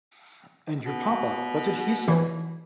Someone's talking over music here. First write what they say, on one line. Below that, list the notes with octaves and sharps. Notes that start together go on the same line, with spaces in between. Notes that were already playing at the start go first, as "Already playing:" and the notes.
And your papa; what did he say?
B2
E3